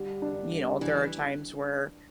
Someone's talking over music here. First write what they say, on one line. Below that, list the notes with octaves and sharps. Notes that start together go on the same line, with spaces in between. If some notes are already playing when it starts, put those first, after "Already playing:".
you know, there are times where,
Already playing: D3 G3
D4
G3
E3 D4